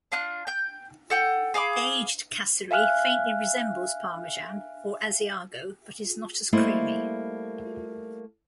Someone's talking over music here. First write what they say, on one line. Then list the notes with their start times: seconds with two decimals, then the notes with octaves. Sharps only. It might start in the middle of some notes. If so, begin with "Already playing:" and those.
Aged kasseri faintly resembles Parmesan or Asiago but is not as creamy.
0.12 D4 F4 F#6
0.47 G5 G6
1.10 A4 F#5 G5
1.54 G#4 F5 B5 D6
2.71 E5 F5 G#5 F6 F#6
6.53 G3 A3 A#3 E4 C5 D#5